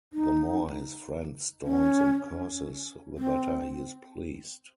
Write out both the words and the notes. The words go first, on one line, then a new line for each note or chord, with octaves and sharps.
The more his friend storms and curses, the better he is pleased.
D#4
C#4
C4